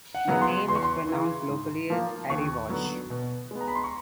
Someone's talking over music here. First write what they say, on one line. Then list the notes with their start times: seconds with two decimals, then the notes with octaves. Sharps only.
The name is pronounced locally as 'Erry-wash'.
0.15 F#5
0.28 C#3 F#3 B3
0.42 C6
0.68 E2 C6
0.76 C#6
0.83 C6
1.08 C#3 E3
1.49 G#2
1.90 F3 A#3
2.30 D#2 C#6
2.70 D3 F#3 B3
3.10 B2
3.51 G#3 B3
3.61 A#5
3.68 B5
3.75 C6
3.84 C#6